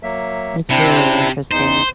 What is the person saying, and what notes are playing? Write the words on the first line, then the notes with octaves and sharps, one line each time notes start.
It's really interesting.
F#3 A#3 E5
C3 C4 D4 E4
E2 D#4 C5